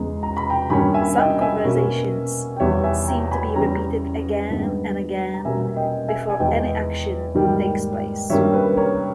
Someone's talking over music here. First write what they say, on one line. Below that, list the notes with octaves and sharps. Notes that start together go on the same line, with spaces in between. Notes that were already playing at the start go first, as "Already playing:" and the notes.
Some conversations seem to be repeated again and again, before any action takes place.
Already playing: E2 C#3 G#3 A#5
A#5
B5
G5 A#5
G2 D#3 A#3 C#4 G#5 B5
E5 G#5
D#5 G5
E5 G#5
B2 A#3 C#4
G5
E2 D#3 G3 C#5 E5
E5 G#5
G5 A#5
G#5 B5
E2 C#3 G3 C#4 G5 A#5
G2 D#3 G#3 B3
A#5
B2 G3 A#3 C#4 E5 G#5
D#5 G5
E5 G#5
G#5
E2 D#3 G#3 B3 D#5 G5
G#2 D#3 G3 A#3
G2 D#3 G3 A#3 C#4 C#5 E5
B4
A#4 C#5